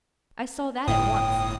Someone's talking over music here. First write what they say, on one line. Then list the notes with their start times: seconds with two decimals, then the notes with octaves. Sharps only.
I saw that at once.
0.88 G1 A2 G5 D#6